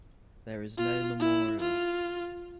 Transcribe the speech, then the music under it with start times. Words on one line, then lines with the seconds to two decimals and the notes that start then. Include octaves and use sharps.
There is no memorial.
0.77 F4
1.19 E4
1.60 F4